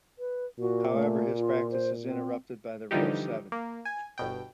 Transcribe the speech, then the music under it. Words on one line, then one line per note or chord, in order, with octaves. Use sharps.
However, his practice is interrupted by the real Seven.
B4
A#2 F#4
A3
F4
C5
C4
D3 E3 F3 G3 D#4 G4
A#3
G#5
G1 B2 G5